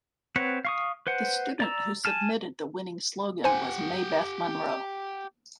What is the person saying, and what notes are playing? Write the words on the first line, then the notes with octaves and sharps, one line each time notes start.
The student who submitted the winning slogan was Maybeth Monroe.
C4 B4 C#5 F#5
F5 C#6 D#6
B4 C5 F#5
D5 A#5 E6
G#5 A5 F6
G4 C5 F#5 G#5